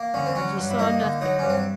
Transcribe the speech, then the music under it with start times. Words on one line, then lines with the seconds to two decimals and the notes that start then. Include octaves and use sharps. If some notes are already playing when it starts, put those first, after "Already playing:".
But he saw nothing.
Already playing: A#3
0.14 D3 C#4
0.26 C4
0.35 F#3 C#4
0.57 G2
0.70 E4
0.79 A#3 D#4
1.00 D3
1.21 F#3 D#4
1.39 G2 C#4
1.49 C4